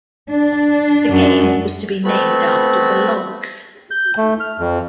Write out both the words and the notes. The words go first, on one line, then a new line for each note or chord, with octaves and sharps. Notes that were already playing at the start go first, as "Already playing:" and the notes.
The game was to be named after the Logs.
D4
F#2
A3 B3 C4 F#4 B5
G6
A3
F6
F2